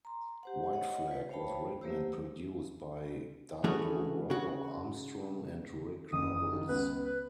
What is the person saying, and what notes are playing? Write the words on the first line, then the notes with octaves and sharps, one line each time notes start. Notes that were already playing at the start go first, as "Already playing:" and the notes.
"White Flag" was written and produced by Dido, Rollo Armstrong and Rick Nowels.
A#5 C6
G4 C5 F#5
C#5 D#5 F#5
F4 B4
C5 C#5 F5 G5 A5 B5
F#3 A3 A#3 G4 C5 E6
E3 A3 C#4 F#4 G#4
C#3 F#4
F#1 D#6
D#3
C#2 B3 B4
B4